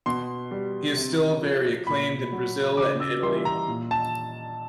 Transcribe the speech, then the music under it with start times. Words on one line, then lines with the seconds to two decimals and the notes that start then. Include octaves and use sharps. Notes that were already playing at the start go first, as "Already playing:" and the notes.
He is still very acclaimed in Brazil and Italy.
0.06 B2 C6
0.51 G3
0.97 C3
1.42 F3
1.87 A#2 B5
2.32 F#3
2.77 C#3 D6
3.00 E6
3.23 E3 G3 C6
3.45 A#5
3.68 A#2
3.91 A5